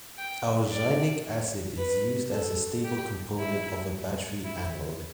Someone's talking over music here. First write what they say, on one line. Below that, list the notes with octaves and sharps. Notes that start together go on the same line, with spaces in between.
Alginic acid is used as a stable component of a battery anode.
G5
D5
B4
A4
G4
E4
E4